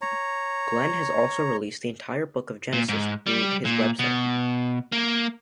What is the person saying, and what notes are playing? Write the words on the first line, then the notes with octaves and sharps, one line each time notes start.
Glen has also released the entire Book of Genesis through his web site.
C#5 A#5
A#2
G#2
G3
A#2
B2
A#3